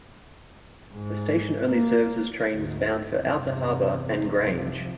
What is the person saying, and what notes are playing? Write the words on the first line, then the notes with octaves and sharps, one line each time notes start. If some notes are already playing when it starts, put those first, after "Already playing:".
The station only services trains bound for Outer Harbor and Grange.
G#2
A#3
D2 G#2
E2 G2 C3
C2 F#2 C3 F3